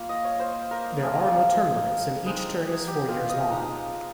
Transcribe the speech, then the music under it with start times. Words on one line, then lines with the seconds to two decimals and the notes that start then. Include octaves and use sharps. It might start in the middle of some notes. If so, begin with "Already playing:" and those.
There are no term limits, and each term is four years long.
Already playing: A#3 F4
0.09 D#5
0.25 C#5
0.40 C5
0.71 A#4
1.02 F3 C4 F4 G#4
2.26 G#3 C4 D#4
2.88 G4
3.09 F4
3.29 D#5
3.50 F3 G#3 D#4 A#5